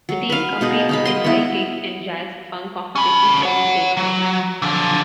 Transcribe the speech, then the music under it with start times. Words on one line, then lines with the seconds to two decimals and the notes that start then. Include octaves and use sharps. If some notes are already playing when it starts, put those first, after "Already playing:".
The team competes in high kick and jazz funk competitions and invitationals.
0.09 F#3
0.30 B4 F5
0.61 B2 D#4 G#4
0.89 D#4 F5 B5
1.05 D#5 C6
1.24 B3 E4
2.95 C#4 B5
3.43 C#5 F#5
3.97 F#3
4.62 D3 F3